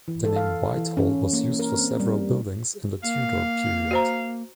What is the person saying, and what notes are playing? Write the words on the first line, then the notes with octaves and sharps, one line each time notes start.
The name Whitehall was used for several buildings in the Tudor period.
E3
A4
F5
E3
C#4
A#3
A#4
C4
G3
A#3 F5
F#4 C5 A#5